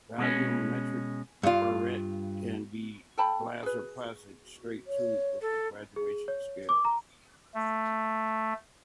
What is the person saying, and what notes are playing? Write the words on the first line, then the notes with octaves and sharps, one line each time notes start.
Volumetric burette can be glass or plastic stright tube with a graduation scale.
B2 G#3 C#4
G2 F4
A4 G5 A5 B5
G#4 B4
C#5
A4
G#4
C#5
D6
A#5
A3